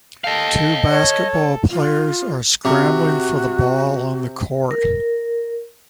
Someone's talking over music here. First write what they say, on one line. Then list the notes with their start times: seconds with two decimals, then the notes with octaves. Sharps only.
Two basketball players are scrambling for the ball on the court.
0.24 A4 D#5 F5 G5
0.89 A4 C#5
1.71 F4
2.65 C3 F#4
4.71 A#4